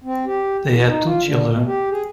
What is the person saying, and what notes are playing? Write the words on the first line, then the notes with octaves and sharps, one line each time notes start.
They have two children.
C4
G4
E2
D#4
F4
D3
B2
G4
G#4